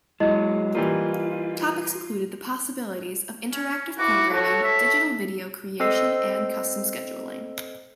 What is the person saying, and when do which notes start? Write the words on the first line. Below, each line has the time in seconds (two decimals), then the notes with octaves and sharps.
Topics included the possibilities of interactive programming, digital video creation and custom scheduling.
0.20 F#3 G#3 E4 D#5
0.75 E3 G3 A#3 F4
3.52 C#4
3.99 E4 F#4 D6
4.34 F#4 A4 C#5
4.63 E5
5.80 C4 A4 C5 D#5 E6 C7